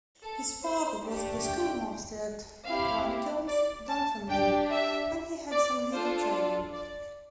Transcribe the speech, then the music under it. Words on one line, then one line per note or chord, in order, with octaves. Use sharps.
His father was the schoolmaster at Limekilns, Dunfermline, and he had some legal training.
A4
C5
A3 D4 G4
G5
C4 E4 G4 F5
D5
A5
D4 G4 G5
E5
D5
D4 F4 A4 C5
D5
D5